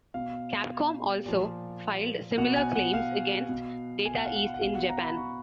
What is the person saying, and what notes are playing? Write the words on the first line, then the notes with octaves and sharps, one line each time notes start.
Capcom also filed similar claims against Data East in Japan.
B2 F5
A#2 F3
B2 F#5
G#5
F#5
F5
B2
G#5
F#5
F5
F#5
F#5
B2 F5
F#5
A#5
B5
C#6